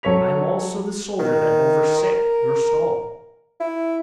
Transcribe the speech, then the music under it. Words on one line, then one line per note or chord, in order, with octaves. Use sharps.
I am also the soldier that overset your stall.
F#3 A4 C#5 B6 F7
D#3
A#4
E4